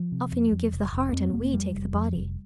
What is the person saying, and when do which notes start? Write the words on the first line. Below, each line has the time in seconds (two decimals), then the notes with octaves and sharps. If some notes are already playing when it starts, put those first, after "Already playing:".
Often you give the heart, and we take the body.
Already playing: F3
0.12 C3
0.32 F2
0.52 F2
0.73 F1
0.93 F1
1.13 F2 C4
1.33 F1 A#3
1.53 F2 G3
1.73 F1
1.93 F2
2.13 F1